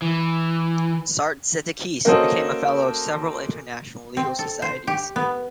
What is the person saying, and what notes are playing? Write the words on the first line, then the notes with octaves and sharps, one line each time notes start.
Sartzetakis became a fellow of several international legal societies.
E3
A#3 C#4 F#4 A4 C5 D#5
C4
A4
C5
G4
B3